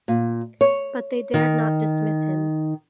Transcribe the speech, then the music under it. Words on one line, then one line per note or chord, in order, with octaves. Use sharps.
But they dared not dismiss him.
A#2
C#5
D#3